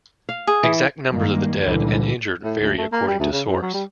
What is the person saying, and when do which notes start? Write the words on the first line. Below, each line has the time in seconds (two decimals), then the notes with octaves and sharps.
Exact numbers of the dead and injured vary according to source.
0.29 F5
0.47 G#4
0.63 E3
1.11 G2 D#3 G#3 A#3
1.62 C#2 A#2 D3 E3 G3
2.43 A2
2.60 D2
2.78 A3
2.92 A#3
3.07 G3
3.20 D2
3.32 C#3
3.48 F#2
3.62 F#3
3.74 G3